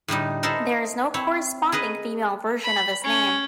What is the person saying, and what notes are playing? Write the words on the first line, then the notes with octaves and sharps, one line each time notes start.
There is no corresponding female version of this name.
A2 D3 G3 D#4
D#4 E4 A4 A#4 C5
C4 E4 C#5
G#4 A#4 B4 D#5
B5
C#4